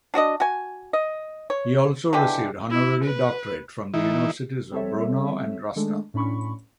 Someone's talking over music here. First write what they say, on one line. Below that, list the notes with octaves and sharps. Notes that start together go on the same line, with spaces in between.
He also received honorary doctorate from the universities of Brno and Rostock.
D4 F#4 D5 D#5
F#4 G#5
D#5
C#5
B2 D3 E3 G4
E4
B4
E3 D#4 E4
G3 C4 A4 C#5 E5
D#3 G#3 A3 D4 A4
A2 C#4 D4 B5 C#6